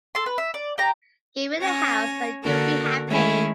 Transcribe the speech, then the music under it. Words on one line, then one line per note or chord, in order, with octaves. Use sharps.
Give it a house and you’ll be happy.
A4 C6
B4
E5
D5
G4 A#5
C#4 C#5 G#5 A#6
D3 A#3 F#4 A4 A#4
D#3 G#3 A3 C#4 E4 G#4